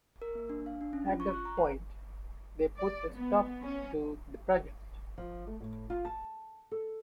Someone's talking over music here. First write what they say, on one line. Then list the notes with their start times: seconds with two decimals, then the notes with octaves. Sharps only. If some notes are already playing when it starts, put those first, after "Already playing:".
At that point, they put a stop to the project.
0.22 A#4
0.35 A#3
0.49 D4
0.66 F5
0.81 D4
0.93 C#4
1.08 F4
1.20 C#6
1.34 F#6
1.45 A#5
1.57 B4
2.77 D5
3.13 B3
3.63 C#4
5.18 F3
5.47 A3
5.60 A2
5.90 F4
6.05 A5
6.71 A4